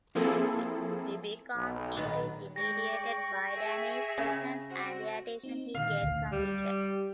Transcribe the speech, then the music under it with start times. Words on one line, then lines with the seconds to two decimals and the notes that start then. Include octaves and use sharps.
She becomes increasingly irritated by Danny's presence and the attention he gets from Richard.
0.15 F3 A#3 C4 E4 G#4 A4
1.56 B1
1.97 A#2 D#3 B3
2.56 G#3 D5 G5 C#6 A#6
3.52 G#4 E5
4.18 C#3
4.68 C4 F#4
5.43 C4 D#4
5.75 A#2 D3 D#3 F5
6.03 D2
6.32 G3